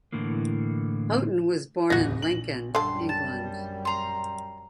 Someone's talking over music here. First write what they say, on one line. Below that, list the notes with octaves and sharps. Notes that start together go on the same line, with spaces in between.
Houghton was born in Lincoln, England.
A2 D3 E3 A#3
D1 E2 D#4 F#4 A#6
A#1 F#7
F#2 D3 G3 A4 C6
A5
A#5 C6